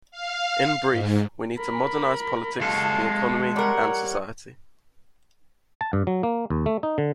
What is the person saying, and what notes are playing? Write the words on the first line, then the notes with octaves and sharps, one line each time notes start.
In brief, we need to modernize politics, the economy, and society.
F5
G#2
A#4 B5
G#3 A4 F5 A5
G3 A#4 C#5 F#5
A5
G2
F#3
A#3
D#2
A3
D#4
D3